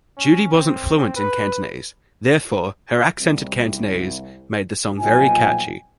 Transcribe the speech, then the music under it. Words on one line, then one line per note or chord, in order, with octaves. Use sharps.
Judy wasn't fluent in Cantonese, therefore, her accented Cantonese made the song very catchy.
C#4
C4
B4
C2
B1 A#2 F3 D#4 G5 G#5